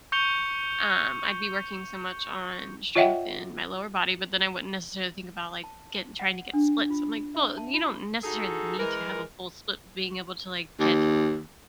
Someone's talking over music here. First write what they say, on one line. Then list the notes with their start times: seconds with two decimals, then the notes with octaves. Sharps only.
um, I'd be working so much on strength in my lower body, but then I wouldn't necessarily think about, like, getting trying to get splits. I'm, like, "Well, you don't necessarily need to have a full split, being able to, like, get
0.12 C#6 G6 C#7 F7 G7
2.95 F4 C#5 D#5 E5 F#5 G5
5.64 A5
6.20 F#5
6.53 D4
6.90 F4
7.35 E5
7.58 A5
7.74 F4
8.24 D#4 F#4 G#4 A4
8.79 E3 G#3 A#4
10.80 D#2